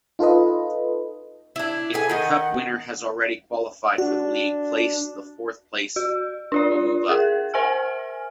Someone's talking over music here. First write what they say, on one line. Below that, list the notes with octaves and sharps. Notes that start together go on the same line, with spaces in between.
If the cup winner has already qualified for the league place, the fourth place will move up.
D#4 F4 A4 B4 D#5
D4 E4
G#4 A4 B4 G#5
D#3 D#5 F#5
D4 F#4
F#4
D4 F4 D5
G#4 A#4
A#4 C5 E5 G#5 F6